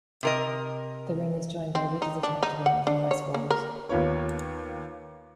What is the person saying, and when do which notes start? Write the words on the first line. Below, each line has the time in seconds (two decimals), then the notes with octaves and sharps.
The rim is joined by ridges attached to the north and west walls.
0.23 C3 A#4 D#5
1.75 C4
2.02 D#4
2.23 D4
2.43 D#4
2.66 F#5
2.87 D4
3.11 C#5
3.34 A#3
3.50 A#4
3.89 D#2 B3 F4 C#5